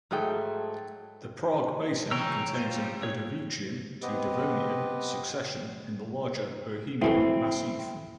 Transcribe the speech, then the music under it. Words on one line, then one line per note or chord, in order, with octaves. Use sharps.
The Prague Basin contains an Ordovician to Devonian succession in the larger Bohemian Massif.
G#2 F#3 A3 G#4 G5
E3 G#3 C#5 G5 A#5 E6
F4 C5
C3
C#5
B3 C4 G4 B4 D#5
D2 E3 A3 C4 E4